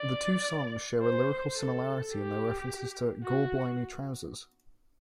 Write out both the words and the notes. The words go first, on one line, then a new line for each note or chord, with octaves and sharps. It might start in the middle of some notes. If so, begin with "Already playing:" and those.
The two songs share a lyrical similarity in their reference to "gorblimey trousers".
Already playing: D5
C5
A4
G4
F#4